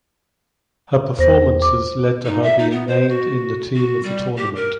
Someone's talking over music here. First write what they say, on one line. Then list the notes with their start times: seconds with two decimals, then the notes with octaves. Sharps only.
Her performances led to her being named in the Team of the Tournament.
1.19 E2 C5 A#6
1.62 D6
2.26 D#4
2.43 E5
2.59 D#4
2.71 B3
2.88 C5
3.09 F#4
3.76 F#4
4.03 G3
4.37 G4
4.56 A#4